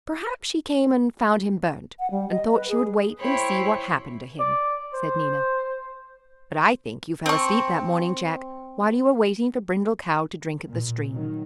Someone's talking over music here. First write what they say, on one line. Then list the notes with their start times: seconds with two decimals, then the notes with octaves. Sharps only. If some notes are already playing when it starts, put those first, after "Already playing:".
"Perhaps she came and found him burnt and thought she would wait and see what happened to him," said Nina, "but I think you fell asleep that morning, Jack, while you were waiting for Brindle Cow to drink at the stream."
1.99 F#5
2.11 G3
2.30 D#5
2.54 B4
2.69 G#4
3.19 E4 C5 C#5 G5 B5
4.40 D5
4.94 C5
7.26 C4 C#6
10.69 A#2
11.12 D#3 F#3